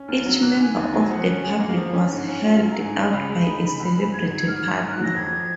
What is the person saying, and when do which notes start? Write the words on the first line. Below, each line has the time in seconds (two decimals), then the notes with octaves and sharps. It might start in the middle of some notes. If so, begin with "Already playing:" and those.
Each member of the public was helped out by a "celebrity" partner.
Already playing: C#4
0.08 D#2 F6
0.26 F#3
0.42 A#3 F#6
0.59 D#3 G#5
0.76 D#2
0.93 F#3
1.10 F3 F#5
1.27 C#4
1.43 G#4
1.60 A#3 F#5
1.68 F5
1.77 F3
1.85 F5
1.94 C#4
2.11 G#2 F#5
2.28 C#4
2.46 F4
2.62 F#3 G#5
2.71 A#5
2.79 G#2 G#5
2.96 C#4
3.12 C#2 B5
3.30 G#3
3.46 D#4
3.63 C#3
3.80 C#2
3.96 G#3
4.13 G#2 G#6
4.30 F#3 G#6
4.48 G#2 F6
4.64 D#3 G#6
4.77 F6
4.82 G#2
4.90 F#6
4.98 F#3
5.03 A#6
5.15 F2 G#6
5.33 F3